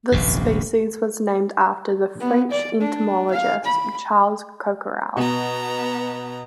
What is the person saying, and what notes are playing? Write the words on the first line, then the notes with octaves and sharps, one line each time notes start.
This species was named after the French entomologist Charles Coquerel.
D#1 A#1 F#2 C3
B3
D5
D4
F5
B5
B2 B3 A#5